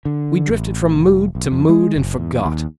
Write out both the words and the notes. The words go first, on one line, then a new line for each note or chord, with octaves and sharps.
We drifted from mood to mood and forgot.
D3
A1
F1
B1
F2
G#3
F#1
E2
D#2